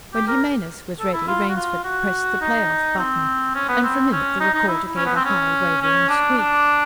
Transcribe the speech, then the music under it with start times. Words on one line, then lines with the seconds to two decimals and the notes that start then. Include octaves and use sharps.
When Jimenez was ready, Rainsford pressed the play-off button, and for a minute the recorder gave a high, wavering squeak.
0.14 G4
0.28 A#4
0.99 A4
1.13 E4
1.27 F4
1.49 F#4
1.56 F4
1.84 F#4
2.41 D#4
2.98 C4
3.55 C#4
3.69 B3
3.83 C4
4.12 C#4
4.40 D#4
4.54 D#4
4.68 E4
4.96 C#4
5.06 B3
5.16 C4
5.25 C#4
5.82 C#4
6.09 D4
6.38 D4